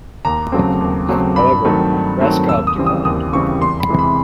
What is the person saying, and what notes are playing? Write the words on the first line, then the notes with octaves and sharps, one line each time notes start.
However, Raskob declined.
D#2 A#5
C#3 F#3 A3 C4
D#2
C#3 F#3 A3 C4
G2 B5
D#3 F#3 A3 C4
G2
D#3 F#3 A3 C4
D#2 E6
D#6
C#3 E3 G3 C4
D#6
D#2 D#6
C#3 E3 G3 C4 C#6
E2 C6
B5
C3 E3 G#3
B5